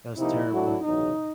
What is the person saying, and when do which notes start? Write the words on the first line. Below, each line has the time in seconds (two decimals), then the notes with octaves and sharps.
it was terrible.
0.16 C3 F3 A#3 D#4 E4 G4
0.50 F#3 A3 D4 F#4
0.84 E2 C#3 F#3 D#4